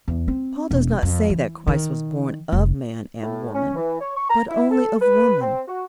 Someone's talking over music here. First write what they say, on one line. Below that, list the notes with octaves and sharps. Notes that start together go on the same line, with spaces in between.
Paul does not say that Christ was born of man and woman, but only of woman.
E2
C4
E1
F2
E3
D#3
F1
A2
C#4
E3
C#5
C#6
A#5
E4
A4
B4
C4
F#4